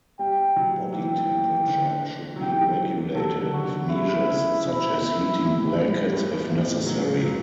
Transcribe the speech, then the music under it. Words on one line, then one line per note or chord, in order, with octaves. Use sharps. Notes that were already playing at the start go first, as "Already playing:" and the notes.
Body temperature should be regulated with measures such as heating blankets if necessary.
G3 G5
F#3
E3 G5
E3
D3
F#3
E3 G5
F#3 A4
D3
F#4
D3
C#3 E4
C#3
B2
A2
G2
A2
F#3
F#3